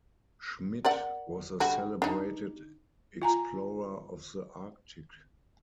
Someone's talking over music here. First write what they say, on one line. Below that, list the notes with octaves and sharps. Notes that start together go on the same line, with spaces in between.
Schmidt was a celebrated explorer of the Arctic.
A#4 D5 F#5
D3 G3 F#4
D4 D#4
F4 G#5 A#5